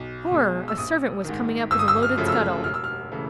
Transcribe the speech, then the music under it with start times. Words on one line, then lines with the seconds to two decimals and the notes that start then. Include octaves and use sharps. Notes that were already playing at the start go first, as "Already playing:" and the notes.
Horror! a servant was coming up with a loaded scuttle.
Already playing: B1
0.31 B2 G#3
0.68 E6
0.78 A#1 D#6
1.24 G#2 D#3
1.71 G1 E6
1.79 D#6
1.88 E6
2.03 F6
2.17 F#2 C#3 F3 A3
2.28 E6
2.33 F6
2.64 E1 F6
2.74 E6
2.84 F6
3.12 C#3 E3 A3